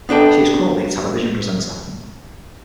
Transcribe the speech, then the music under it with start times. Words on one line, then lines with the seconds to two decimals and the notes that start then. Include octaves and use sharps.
She is currently a television presenter.
0.09 B3 D4 A4 G5